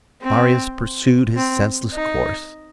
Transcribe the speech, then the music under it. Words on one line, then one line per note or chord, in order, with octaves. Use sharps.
Marius pursued his senseless course.
C4
C4
D#4